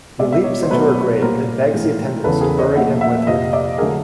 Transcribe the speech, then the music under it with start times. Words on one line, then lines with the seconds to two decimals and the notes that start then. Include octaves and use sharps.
He leaps into her grave and begs the attendants to bury him with her.
0.19 B2 G#3 D5 E5
0.32 E5
0.44 C#5 D#5
0.63 C5
0.70 B2 F#3 A3 B4 C#5
1.21 A#2 G3 A#3 A#4 C5
1.73 A2 E3 G#3
2.24 E2 C#3 E3 A4 B4
2.41 G#4 A#4
2.58 C#5 D#5
2.76 A#2 F3 A3 E5 F#5
3.01 E5 F#5
3.27 F2 C3 F3 D#5 F5
3.53 D5 E5
3.78 D3 F#3 A3 G#4 A#4